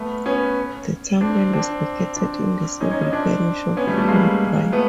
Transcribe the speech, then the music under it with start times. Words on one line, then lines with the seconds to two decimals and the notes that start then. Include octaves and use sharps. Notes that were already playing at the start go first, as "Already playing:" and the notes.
The townland is located in the civil parish of Kilbride.
Already playing: A3 B3
0.26 B3 C#4
1.21 C4 D4
1.53 C4 D4
2.17 C4 D4
2.81 C#4 D#4
2.91 C#4 D#4
3.02 C#4 D#4
3.13 C4 D4
3.77 B3 C#4
3.87 G3 A3
3.98 G3 A3
4.08 G#3 A#3
4.72 A3 B3